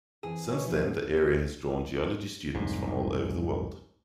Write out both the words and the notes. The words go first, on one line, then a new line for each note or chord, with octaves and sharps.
Since then the area has drawn Geology students from all over the world.
F#2 E3 C4 G#4
B2 C#5
F3 E4 C5
F1 C2 G#2